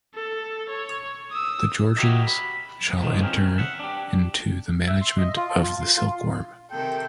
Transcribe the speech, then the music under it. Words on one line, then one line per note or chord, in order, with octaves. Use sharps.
The Georgians shall enter into the management of the silkworm.
A4
C#5
D#6 E6
F#4 G4 A#4 C#5 D#5 E5
B5
E2 G#2 D#3 F3
C4 C#4 A#4
E5 F#5
D4 G4
E5
C6
D#5
F4
A5
F4
C6
F4
C3 D#3 A4 G5